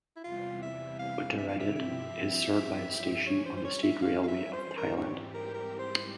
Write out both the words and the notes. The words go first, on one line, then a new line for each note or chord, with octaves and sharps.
Uttaradit is served by a station on the State Railway of Thailand.
E4
E2 C3 E3 G3 F4
E5
F5
E5
F5
E5
G2 F3 C4 E4 G4 E5
E3 G3 C#4 C#5
C5
C5
C#5
E5
F5
F5
E5
C5
G#2 E3 G3 C4 G4 A#4
C#5
A#4
A#4
C5